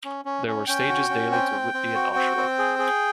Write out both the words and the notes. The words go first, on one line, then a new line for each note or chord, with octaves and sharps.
There were stages daily to Whitby and Oshawa.
C#4
C#4
C#4
C#4 G5
F#4
C#4
C4 G5
C4
C4
F#4
C4
C4
G#4
G#4